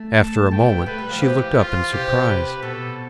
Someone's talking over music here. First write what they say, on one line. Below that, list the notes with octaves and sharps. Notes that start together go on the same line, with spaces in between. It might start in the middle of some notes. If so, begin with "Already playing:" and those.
After a moment she looked up in surprise.
Already playing: A3
A5
A3 G5
B3
A3
B3
A3 B4
G3
F3
E3 G4
F4
C3 G4
B4
B2 A4